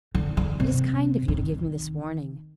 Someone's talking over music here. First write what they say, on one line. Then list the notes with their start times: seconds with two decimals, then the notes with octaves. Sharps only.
It is kind of you to give me this warning.
0.15 D3
0.37 D3
0.60 C3
1.28 D#3